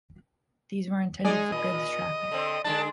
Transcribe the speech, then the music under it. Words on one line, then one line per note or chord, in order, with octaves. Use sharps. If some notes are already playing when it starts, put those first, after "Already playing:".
These were intended for goods traffic.
G#3 D#4 G#4 D5
A#2 D#5
D3 C4
D3 G#3 D4 A5